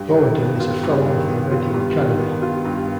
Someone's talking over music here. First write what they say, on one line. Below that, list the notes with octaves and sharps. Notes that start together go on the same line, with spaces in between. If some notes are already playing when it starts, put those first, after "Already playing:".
Boaden is a Fellow of The Radio Academy.
Already playing: G2
D#3
B3
F4
G2
D#3
B3
F4
G2
D#3
B3
F4
G2